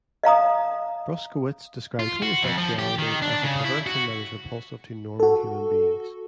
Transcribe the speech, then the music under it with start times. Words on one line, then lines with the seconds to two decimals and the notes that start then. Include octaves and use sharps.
Bruskewitz described homosexuality as "a perversion that is repulsive to normal human beings".
0.23 D#5 F5 A#5 D#6
1.99 F4
2.22 F#4
2.43 F2
2.58 F3
2.79 G4
2.99 D#3
3.22 D4
3.43 C#3
3.64 E4
3.87 F#4
5.20 F#4 A4